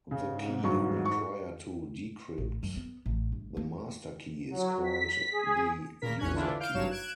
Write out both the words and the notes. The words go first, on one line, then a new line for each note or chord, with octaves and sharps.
The key required to decrypt the master key is called the "user key".
G#2 C#3
G2 F#3 C#6
C#6
A1
F#2
B3
A1
G1
A#3
F#3
B6
G#4
A#2 C#3 A#4 B6
A#1 E2 C#4 C#5 F#6 G#6
D3 E3 D4 E4 F4
F5 F6 G6 D7
G#1 G2 F#3 C#5 F5 E7
F#6 G#6 D7 E7